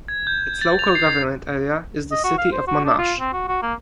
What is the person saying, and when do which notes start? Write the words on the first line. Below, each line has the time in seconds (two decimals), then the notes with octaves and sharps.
Its local government area is the City of Monash.
0.08 G#6
0.27 G6
0.61 A6
0.79 F7
0.95 C7
2.12 D#5
2.24 F#4
2.38 F5
2.52 C5
2.67 F#4
2.85 D4
2.99 F4
3.20 C4
3.33 F#4
3.48 F#4
3.62 A#3